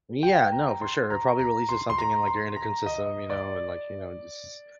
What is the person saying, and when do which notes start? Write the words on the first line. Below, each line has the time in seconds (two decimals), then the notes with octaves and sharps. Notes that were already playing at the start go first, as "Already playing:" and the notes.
Yeah, no, for sure, it probably releases something in, like, your endocrine system, you know, and, like, you know, jus
0.23 G5
0.52 A#5
0.82 C6
1.10 A#5
1.39 A#5
1.69 C6
1.90 C6
1.98 A#5
2.28 C6
2.56 A#5
2.86 D#5
3.30 D5